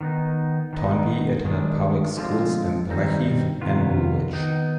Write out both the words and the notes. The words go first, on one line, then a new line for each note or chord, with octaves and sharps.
Toynbee attended public schools in Blackheath and Woolwich.
D#3 B3 D#4
D#3 B3 D#4
D#3 G#3 D4
D3 F3 G#3 C4 F4
G2 D#3 G3 C4 D#4
F2 C3 D#3 B3 F4
D#3 B3 D#4